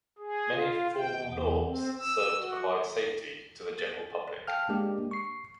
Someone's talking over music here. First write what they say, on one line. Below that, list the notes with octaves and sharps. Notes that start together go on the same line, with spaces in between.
Many formal norms serve to provide safety to the general public.
G#4
F4
G5
E2
C4
E6
F#4
A6
F5 G5 A5 F6
G#3 A#3 D4 G4
C#6 C7